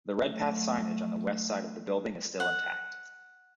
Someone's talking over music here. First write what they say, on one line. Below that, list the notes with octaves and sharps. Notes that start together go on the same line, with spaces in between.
The Redpath signage on the West side of the building is still intact.
F#3 A3
F#5